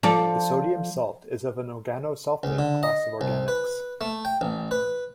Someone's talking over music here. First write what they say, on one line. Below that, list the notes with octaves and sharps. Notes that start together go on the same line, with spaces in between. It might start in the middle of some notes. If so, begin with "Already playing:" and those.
The sodium salt is of an organosulfate class of organics.
F3 A4 D5
C#2
D3
D#5
C2
B4
A3
G5
A1
B4